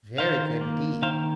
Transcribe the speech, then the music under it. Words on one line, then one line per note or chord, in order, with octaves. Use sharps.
"Very good indeed."
D#3 C5 F5
A#3
D#3 C5 F5